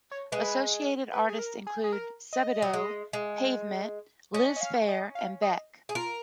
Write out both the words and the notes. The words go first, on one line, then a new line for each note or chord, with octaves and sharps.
Associated artists include Sebadoh, Pavement, Liz Phair, and Beck.
C#5
G#3 B4
B4
G#4
A#4
G#4
G#4
A#4
D#5
F#3
G#3
G#3
C#4 D#5
D#5
F5
D#5
F5
D#5
G#4
F4 A#4